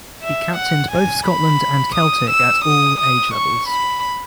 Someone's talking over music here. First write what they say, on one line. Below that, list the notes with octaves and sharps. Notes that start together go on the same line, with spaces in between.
He captained both Scotland and Celtic at all age levels.
E5
F#5
G#5
B5
D#6
E6
D#6
D#6
C#6
B5